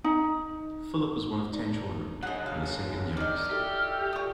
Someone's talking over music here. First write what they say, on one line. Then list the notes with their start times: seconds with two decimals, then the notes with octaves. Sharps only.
Philip was one of ten children, and the second youngest.
0.04 D#4
1.52 D4 D#4
2.23 F#2 C#3 D4 D#5 F#5
2.46 F5
3.17 D#3 D5 D#5 F6
3.50 E4 F#4 G4 A4
4.13 A#2 C#6 D#6